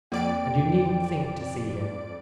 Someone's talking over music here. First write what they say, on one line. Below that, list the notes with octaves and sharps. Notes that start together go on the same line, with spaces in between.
And you needn't think to see him.
F2 A#3 D5 G5 D7